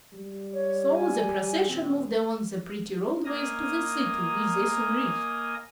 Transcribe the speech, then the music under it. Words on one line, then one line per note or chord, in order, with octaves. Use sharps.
So the procession moved along the pretty roadways to the City, which they soon reached.
G3
C#5
G#5
D#1 C4
A#3 A#4 D#5 G#5 A#5 D#6